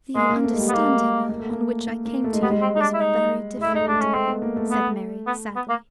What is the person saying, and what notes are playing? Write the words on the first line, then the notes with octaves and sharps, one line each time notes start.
"The understanding on which I came to you was very different," said Mary, sadly.
G#3 A#3
A#3
A3
G#3
G3
B3
G#3 A#3
A#3
A3
A#3
A#3
A#3
A3
G#3
G3 B3
G#3
C4
D#4
D4
E4
D#4
G#3
A3 E4
G#3
A3 D#4
G#3 D4
A3
G#3 C#4
A3 C4
B3
A#3
A3
B3
B3
B3
A#3